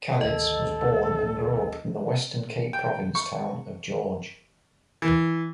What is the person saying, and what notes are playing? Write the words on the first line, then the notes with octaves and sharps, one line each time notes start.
Calitz was born and grew up in the Western Cape Province town of George.
G#1 D2 A4 D#5
G5
C#6
E3